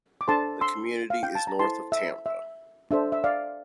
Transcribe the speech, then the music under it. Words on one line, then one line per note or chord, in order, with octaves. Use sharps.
The community is north of Tampa.
D6
D4 A4 C5 A5 C6
C6 E6
F5
G5
A5
A#5
E4 A4 C5 A5 C6
E5
E5
D4 A4 C5 E5
E5
D5 F5